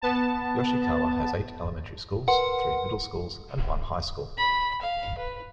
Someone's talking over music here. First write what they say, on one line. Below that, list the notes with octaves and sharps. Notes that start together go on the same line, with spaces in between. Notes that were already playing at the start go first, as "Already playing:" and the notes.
Yoshikawa has eight elementary schools, three middle schools and one high school.
B3 A5
A#4 B4 F#5 C6
B5
F5
B4